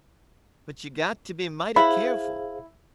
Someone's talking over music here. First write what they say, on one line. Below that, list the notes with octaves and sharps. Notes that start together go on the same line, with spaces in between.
But you got to be mighty careful.
E4 G#4 C5 F5 B5